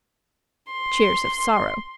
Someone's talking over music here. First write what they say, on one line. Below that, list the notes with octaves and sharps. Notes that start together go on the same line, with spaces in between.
Cheers of sorrow.
C6